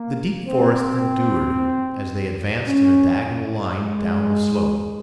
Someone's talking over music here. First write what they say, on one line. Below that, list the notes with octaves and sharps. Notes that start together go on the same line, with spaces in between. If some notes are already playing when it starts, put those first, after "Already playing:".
The deep forest endured as they advanced in a diagonal line down the slope.
Already playing: A#3
C4
C#4
G#3